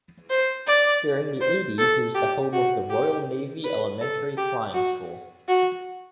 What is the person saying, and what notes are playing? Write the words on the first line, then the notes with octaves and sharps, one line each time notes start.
During the eighties it was the home of the Royal Navy Elementary Flying School.
C5
D5
C5
A4
G4
F#4
G4
B4
A4
G4
F#4
F#4